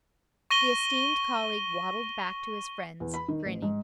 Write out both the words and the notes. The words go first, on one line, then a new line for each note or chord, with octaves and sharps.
The esteemed colleague waddled back to his friends, grinning.
C#6 A#6 D#7 G7
E2
B5
D#3
A1
G#2